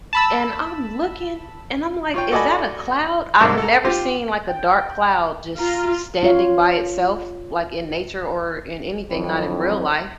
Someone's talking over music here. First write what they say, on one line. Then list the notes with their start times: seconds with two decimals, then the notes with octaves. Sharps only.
and I'm looking and I'm, like, "Is that a cloud?" I've never seen, like, a dark cloud just s standing by itself, like, in nature or in anything, not in real life.
0.13 A5 B5 E6
2.14 F4 C#5 G5
2.31 F#4 A4 D5 D#5 G#5 B5
3.41 C2 G#2 A#3 D6
3.58 A4 A#5
3.85 F4 G4 C5 C6
4.48 G5
5.59 F4 A#5
6.23 F4 C#5 F5
9.11 F2 F#3 C4 E4